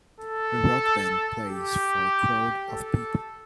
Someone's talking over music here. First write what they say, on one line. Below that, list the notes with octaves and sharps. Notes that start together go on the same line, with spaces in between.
A rock band plays for a crowd of people.
A4
G4
A4